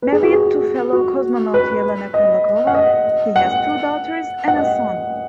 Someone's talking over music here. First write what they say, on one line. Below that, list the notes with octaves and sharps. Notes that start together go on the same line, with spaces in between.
Married to fellow cosmonaut Yelena Kondakova, he has two daughters and a son.
B4
G#4
F#4
G#4
F#4
B4
D#5
F#5
D#5
F#5
F#5
D#5